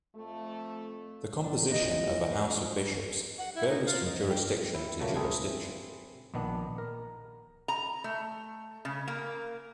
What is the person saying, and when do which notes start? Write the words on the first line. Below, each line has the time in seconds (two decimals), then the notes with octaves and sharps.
The composition of a House of Bishops varies from jurisdiction to jurisdiction.
0.15 F2 A3
1.44 D4
1.70 A#2 E3 D#5
2.31 B3 D4 D#4 F#4 G#4
3.38 F#5
3.54 E4
3.68 D#4
3.85 F4
4.04 D#5
4.28 G5
4.74 E4
4.99 A#2 C#3 F#3 A3 A#3
5.16 C4 E4 G#4 A4
6.34 A#1 D#3 B3 D4
6.78 A#4
7.68 A#5
8.04 A3
8.85 C#3
9.08 A#3